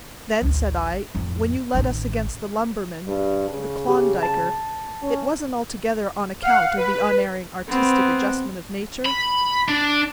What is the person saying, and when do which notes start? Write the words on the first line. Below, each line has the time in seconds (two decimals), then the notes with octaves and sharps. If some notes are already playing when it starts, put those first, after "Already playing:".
"Then," said I, "when you led us against the lumberman--the--Klondiker --it wasn't altogether on account of the Unerring Artistic Adjustment of Nature?"
0.42 A1 D2
1.15 A1 F2
1.74 A1 D#3
3.07 G2
3.50 C#3
3.88 G4
4.23 A5
5.02 C#4
6.42 F5 F#5
6.77 B4
7.68 B3 C4
9.06 B5
9.68 D4